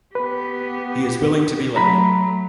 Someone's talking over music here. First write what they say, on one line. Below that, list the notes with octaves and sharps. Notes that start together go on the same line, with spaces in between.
He is willing to be led.
B3 G4 B4
F#3 A3 A#5 B5